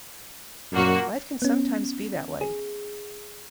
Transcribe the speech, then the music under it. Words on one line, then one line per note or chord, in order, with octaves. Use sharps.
Life can sometimes be that way.
F#2 A#2 A#3 F#4
B3 C#4
G#4